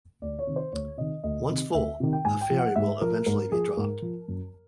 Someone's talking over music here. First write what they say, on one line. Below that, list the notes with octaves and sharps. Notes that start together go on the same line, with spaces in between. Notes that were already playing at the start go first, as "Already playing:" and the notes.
Once full, a fairy will eventually be dropped.
D2 D5
C#5
C3 D#3
C5
D2 C#5
C3 D#3 D#5
D2 D#5
C3 D#3
D2 E5
C3 D#3
G5
G#2 G#5
G5
F3
F#5
G#2 E5
F3 A#4
G#2 A#4
F3 G#4
G#2 A#4
F3
F#2